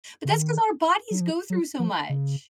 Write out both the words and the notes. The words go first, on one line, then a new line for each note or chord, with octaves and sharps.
but that's 'cause our bodies go through so much.
C#3
D#3
F#3
F3
F#3
F3
C#3